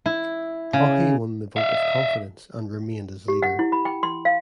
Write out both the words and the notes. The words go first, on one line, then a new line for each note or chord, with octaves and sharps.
Haughey won the vote of confidence and remained as leader.
E4
C#3
E5 F5
G4
F#5
E4
B5
G5
C6
F5